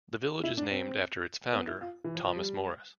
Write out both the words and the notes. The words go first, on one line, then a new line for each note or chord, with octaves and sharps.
The village is named after its founder, Thomas Morris.
E4
D4
C4
B3
E4
F4
E3
F3
F3
G3